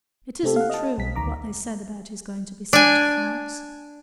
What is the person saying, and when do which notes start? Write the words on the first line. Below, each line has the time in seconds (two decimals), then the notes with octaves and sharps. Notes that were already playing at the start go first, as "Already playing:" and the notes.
It isn't true, what they said about his going to be sent to France.
0.43 C3 A3 C4 G4 A4
0.56 F5 F#5
0.70 D#5 A5
0.98 B1 B6
1.16 D2 D#3 A#5 D6
2.73 D4 G#5